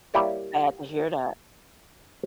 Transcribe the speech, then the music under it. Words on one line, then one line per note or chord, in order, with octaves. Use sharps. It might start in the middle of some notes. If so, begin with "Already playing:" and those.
Sad to hear that.
G3 A#3 E4 G4 C#5 D5